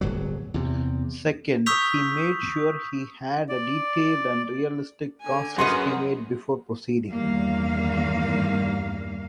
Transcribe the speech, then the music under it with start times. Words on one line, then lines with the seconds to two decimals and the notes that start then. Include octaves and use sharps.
Second, he made sure he had a detailed and realistic cost estimate before proceeding.
0.01 D1 G1 F#3
0.54 E2 C3
1.66 C#6 D#6 E6 G6 B6 F7
3.49 D5
5.21 D3 G#5
5.58 F#2 F#4 G#4 B4 D#5 C6
7.11 E2 G2 D#3 G3 A#3 F5